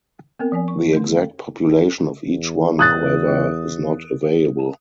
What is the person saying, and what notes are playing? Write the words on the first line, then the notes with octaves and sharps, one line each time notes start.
The exact population of each one, however, is not available.
B3 C4 A#4
F3 D5 G#5
C#6
D3 A3
E2
D#6 F#6 A6